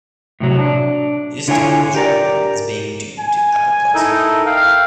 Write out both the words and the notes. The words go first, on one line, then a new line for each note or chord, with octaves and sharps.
His death was recorded as being due to apoplexy.
A2 C3 F#3
D4
D3 E4 F4 C#5 G#5
G4 A#4 D5
G#5
D#4 E4 A4 A#4
F5 G5